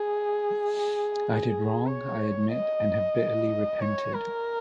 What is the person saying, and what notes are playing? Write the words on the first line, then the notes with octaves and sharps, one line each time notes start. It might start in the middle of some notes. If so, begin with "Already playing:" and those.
I did wrong, I admit, and have bitterly repented.
Already playing: G#4
C#5
D#5
C#5
A#4